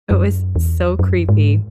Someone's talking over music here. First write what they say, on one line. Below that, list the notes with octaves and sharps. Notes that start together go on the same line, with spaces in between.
It was so creepy,
F#2
E2
F#2
G#2